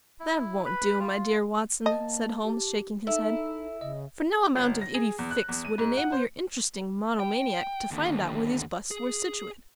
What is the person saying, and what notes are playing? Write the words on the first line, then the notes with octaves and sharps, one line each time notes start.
"That won't do, my dear Watson," said Holmes, shaking his head, "for no amount of IDEE FIXE would enable your interesting monomaniac to find out where these busts were situated."
E4
B4 B5
F4
A#3 D#5 A5
G4
D#4 E4 A4
C#3 D#5
G1
A#6
G#4
E2
F#6
E2
D#7
G#2
F#5
C5
G5
D#2 D3
G#4